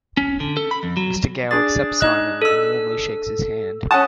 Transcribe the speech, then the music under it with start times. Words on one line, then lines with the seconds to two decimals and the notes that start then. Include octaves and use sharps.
Mr. Gao accepts Simon and warmly shakes his hand.
0.17 C#4
0.40 D3
0.57 A4
0.71 B5
0.83 F2
0.97 F#3
1.51 D4 G#4 A6
2.01 D#4 D#5 F#6
2.42 A4 E6
3.91 C#4 F#5 A5 D#6